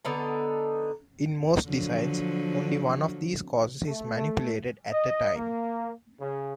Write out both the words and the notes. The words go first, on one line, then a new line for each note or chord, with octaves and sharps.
In most designs, only one of these causes is manipulated at a time.
D3 B3 D#4 A5
D3 F3 F#3
A3
D#5
A#3
C#3